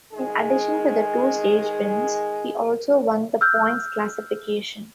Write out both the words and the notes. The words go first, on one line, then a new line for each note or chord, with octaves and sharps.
In addition to the two stage wins, he also won the points classification.
D#3 G#3 G#4
E6 F6 G6